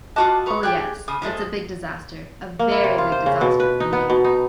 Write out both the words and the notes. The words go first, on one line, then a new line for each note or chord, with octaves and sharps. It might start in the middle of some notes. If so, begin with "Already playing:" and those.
Oh yes. It is a big disaster, a very big disaster for me!
F4 F#4 D#5 A5 D6 F#6
B4 A#5 C#6
G4 G#4 D5 G5 F#6
C#3 D#6
F3 G#3 A3
A#3
E4
C3
F4
C5
C#3
B2
B4
D#4
B3
B2
D#4